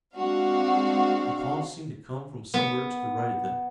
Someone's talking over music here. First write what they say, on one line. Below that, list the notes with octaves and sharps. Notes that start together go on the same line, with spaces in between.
The call seemed to come from somewhere to the right of them.
G#3 C4 D4 F#4 F5
B3